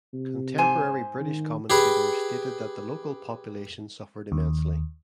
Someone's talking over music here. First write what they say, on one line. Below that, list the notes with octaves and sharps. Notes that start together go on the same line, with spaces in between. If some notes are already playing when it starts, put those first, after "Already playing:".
Contemporary British commentators stated that the local population suffered immensely.
C3
G#2 C5 G#5
D#3
G4 G#4 B4
D#2